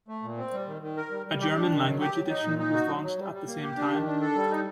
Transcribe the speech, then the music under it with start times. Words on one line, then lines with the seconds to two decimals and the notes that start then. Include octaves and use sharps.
A German language edition was launched at the same time.
0.08 A3
0.23 A#2
0.38 C4
0.53 G3
0.67 D#3
0.82 D#3
0.97 A#4
1.11 G3
1.26 G3
1.41 G4
1.55 D4
1.71 D#3
1.86 F#3
2.00 G4
2.15 F#3
2.29 D#4
2.44 A#2
2.59 D#4
2.74 F#4
2.88 F#3
3.03 F#3
3.19 G3
3.33 G3
3.47 A#3
3.62 G4
3.77 D4
3.91 D#3
4.06 D4
4.21 A4
4.35 G3
4.51 D#4